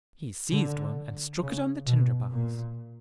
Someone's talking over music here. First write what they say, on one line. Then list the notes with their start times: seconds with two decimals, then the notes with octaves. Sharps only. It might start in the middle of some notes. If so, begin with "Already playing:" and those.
He seized one and struck it on the tinder-box.
0.50 D3
1.41 C#3
1.86 B2
2.31 A#2